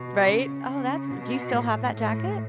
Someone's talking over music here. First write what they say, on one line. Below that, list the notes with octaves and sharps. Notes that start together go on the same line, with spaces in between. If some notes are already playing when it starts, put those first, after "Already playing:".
Right? Oh, that's do you still have that jacket?
Already playing: B2
C#3
C#3
B2
A2
A2